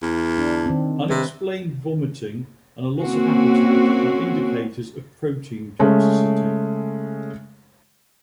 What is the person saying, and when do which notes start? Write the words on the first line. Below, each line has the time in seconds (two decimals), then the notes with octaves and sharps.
Unexplained vomiting and a loss of appetite are indicators of protein toxicity.
0.02 E2
0.38 D4
0.66 D#3 C4
1.10 C3 B4
3.01 A#3 C4 C#4 F#4
5.79 C#3 G#3 A3 C#4